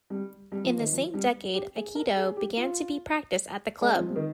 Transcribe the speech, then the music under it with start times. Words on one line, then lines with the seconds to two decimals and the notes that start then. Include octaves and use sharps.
In the same decade aikido began to be practiced at the club.
0.10 G3
0.52 G3
0.64 F3
0.78 D#3
0.92 F3
1.14 G3
1.54 G4
1.75 G#4
1.95 A#4
2.16 G#4
2.37 G4
2.57 F4
3.81 G#3
3.95 F3
4.09 G3
4.16 D#3